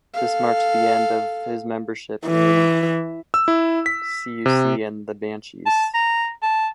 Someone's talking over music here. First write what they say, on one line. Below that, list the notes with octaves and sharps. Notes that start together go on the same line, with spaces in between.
This marked the end of his membership in Siouxsie and the Banshees.
A4 F5
E3
E6
E4
B6
C3
A5
A#5
A5